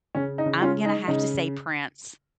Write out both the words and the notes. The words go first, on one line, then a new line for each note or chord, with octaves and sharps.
I'm gonna have to say Prince.
C#3 C#4
D#4
C#3
C#4 F4
G#3
D#4
C#3 D#4